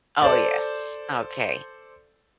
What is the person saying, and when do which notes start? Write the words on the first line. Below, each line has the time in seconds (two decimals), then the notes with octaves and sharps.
Oh, yes. Okay.
0.22 A4 C5 D5